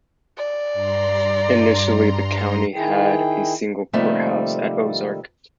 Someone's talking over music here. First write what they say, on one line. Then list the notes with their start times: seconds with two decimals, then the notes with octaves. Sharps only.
Initially, the county had a single courthouse at Ozark.
0.37 D5
0.73 G2 A#5 C6
2.75 D#3 E4 G#4 G5
3.93 C3 D#3 F3 G3 A3 A#3